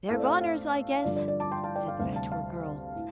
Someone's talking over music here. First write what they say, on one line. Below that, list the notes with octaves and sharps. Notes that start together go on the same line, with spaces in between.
"They're goners, I guess," said the Patchwork Girl.
A2 A3 C4 F5
D5
F5
F5
G2 D3 F3 D5
D5
D5
A5 D6
G5 C6
F5 A5
D5 G5
F5
D2 C3 G3 F5
F5 A5
F5 A5
A2